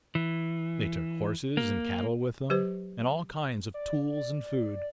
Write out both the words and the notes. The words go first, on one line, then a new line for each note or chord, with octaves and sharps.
They took horses and cattle with them, and all kinds of tools and food.
E3
A#3
F#3 G4 B4 C5
D5